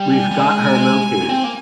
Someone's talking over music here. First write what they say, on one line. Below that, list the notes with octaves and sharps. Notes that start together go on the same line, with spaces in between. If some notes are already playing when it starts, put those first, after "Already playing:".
We've got her located.
Already playing: G3
G#5
G3
G#3
C4
A#3